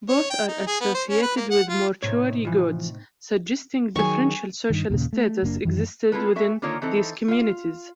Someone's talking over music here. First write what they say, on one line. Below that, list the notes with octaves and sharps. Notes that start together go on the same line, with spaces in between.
Both are associated with mortuary goods, suggesting differential social status existed within these communities.
C#5
G5
D#4
G#4
B3
C5
C#4
B4
A#3
F#5
F4
A2 C3 D#4 C#5
E3 F3
D#3 F#3 G#4 G#5 C#6
G2 D#3
D#2 A#2 C#3
A3
F#1 A#3 D4
F#2 D#3 E3
C4 E4 F4 G#4 A4 B4
F#4 A4 E5 G#5
D3 D#3 A#3 F4 A#4 C#5
E3 C4 D#4 A4
F4 F5